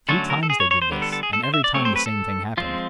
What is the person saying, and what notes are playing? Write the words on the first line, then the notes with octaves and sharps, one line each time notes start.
Three times they did this, and every time the same thing happened.
D3 F#3 A3 C#4 A4
A#4
A4
G#4
C#5
C#5
C5
D3 G3 B3
A4
A4
G#4
A4
C5
E5
D5
F#3 A3 C4 C#5
C5
B4
A4
F3 G#3 C4 F4